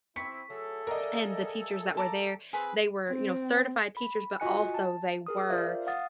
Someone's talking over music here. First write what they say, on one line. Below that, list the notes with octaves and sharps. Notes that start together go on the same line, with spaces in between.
and the teachers that were there, they were, you know, certified teachers, but also they were,
C4 E4 C#6 B6
F#3 A3 G#4 A4
E3 A#4 D5 D#5 F5
A5 A#5 D6
C4 G#4 B4 B5
C4
B5
F4 F#4 D#5 G#5 F#6 C#7
A5
G#4 A#4 D#6
F4 A#4 C5 D5 E5 F5
F5 F#5 D#6 A6